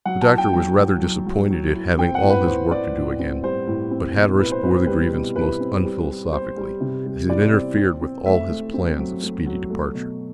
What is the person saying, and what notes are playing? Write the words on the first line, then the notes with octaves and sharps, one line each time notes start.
The Doctor was rather disappointed at having all his work to do again, but Hatteras bore the grievance most unphilosophically, as it interfered with all his plans of speedy departure.
F#3 F#5
A5
E4
G5
F#3 G5
F#3
F#3
F#3
F#3
E4
C4 G5
F#5
A2
B4
A2 C5
C4 D5
A2
C4
G3 C5
A2
C4
B2
E4 B4
C5
C4 B4
C5
G3 B4
B2
E4 B4
C4
G3
G3
G3 C5
G3
C3
G3
E4 D5
C4
C4
C4
A3 E5
A3
C4
F#3
A3
F#3
A3
B2